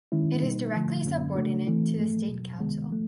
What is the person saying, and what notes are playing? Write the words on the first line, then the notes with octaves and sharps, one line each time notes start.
It is directly subordinate to the State Council.
D#3 G#3 C#4 E4
B2 G3 A#3 D#4
D3 F3 A3
F#2 D3 F#3 A#3 C#4
C#3 F3 A3 D4 F#4
E3 A3 C4 E4
G#2 F3 A3
E2 B2 F#3
C#2 C3 D#3 G#3 B3
F3 A3